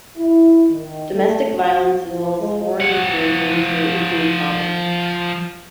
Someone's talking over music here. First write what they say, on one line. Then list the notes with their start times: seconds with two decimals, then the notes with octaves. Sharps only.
Domestic violence as well as foreign incursions were equally common.
0.17 E4
0.70 D#3
1.16 A3
1.56 F#4
2.08 F3
2.40 G#3
2.81 F3 F#5